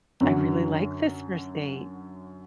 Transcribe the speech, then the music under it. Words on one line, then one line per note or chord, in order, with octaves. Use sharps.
I really like this first date.
F#2 D3 F#3